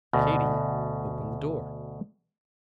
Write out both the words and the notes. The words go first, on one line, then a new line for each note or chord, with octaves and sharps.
Katy opened the door.
D2 B2